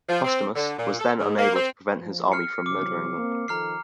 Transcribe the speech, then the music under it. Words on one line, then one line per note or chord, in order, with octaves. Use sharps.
Postumus was then unable to prevent his army from murdering them.
F3
C4
D3
A#2
A4
G#2
A#3
C4
F3
F6 C7 C#7
C3 E3 F#3 D6
A#3 C4
D#3 F3 A4 A#5 F6 C7